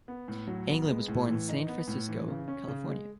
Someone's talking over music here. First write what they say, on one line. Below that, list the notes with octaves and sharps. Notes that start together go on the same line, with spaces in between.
Anglim was born in San Francisco, California.
B3
A2
F#3
B3
G#3
A2
E3
D#4
B3
A2
E3
C#3
C#4
C#3
G#3